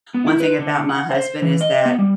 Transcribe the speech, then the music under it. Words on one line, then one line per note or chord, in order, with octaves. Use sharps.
one thing about my husband is that,
B3
E4
B4
D3
F#5
C5
E3
D#5
B3
G3